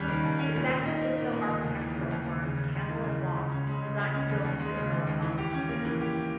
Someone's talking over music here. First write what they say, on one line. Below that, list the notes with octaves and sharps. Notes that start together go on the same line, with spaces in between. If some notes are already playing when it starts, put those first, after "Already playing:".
The San Francisco architectural firm Campbell and Wong designed the buildings at Merrill College.
Already playing: D#2 G3 C#4
D#3
D#2
C#4
A#2
A#2
D#4
A#3
A#2
A#2
D#2
D#2
E3
C#3
D#2
D#2
C#3
C#3
G#3
E3
C#3
C#3
C#2
C#4
G#3
C#3
C#2
C#4
D#2
D#2
G#3
C#3
D#2
D#2
E3
G4
C#4
A#3
E3
G4